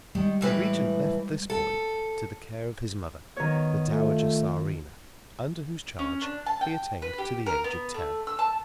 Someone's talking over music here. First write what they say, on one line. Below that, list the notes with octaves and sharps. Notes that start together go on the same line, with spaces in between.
The Regent left this boy to the care of his mother, the Dowager Czarina, under whose charge he attained to the age of ten.
D#3 G3 G#3
A2 E3 B4
A4
D#3 B3 C#5
A3 F4
C#4
D4
A5
G5
B4
G4
A#4
B3
A3
E6
A5